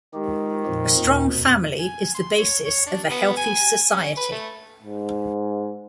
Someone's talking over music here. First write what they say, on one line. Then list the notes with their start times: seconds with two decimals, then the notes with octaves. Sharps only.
A strong family is the basis of a healthy society.
0.14 D#3 G#3 G4
0.66 F2 A#2 F3
0.99 D#2 A#2
1.33 F2 B2
1.79 G#5
2.15 C6
2.38 C#5
2.65 C#5
2.87 D4
3.10 B3
3.37 G#5
3.92 C#4
4.17 B4
4.32 A3
4.83 G#2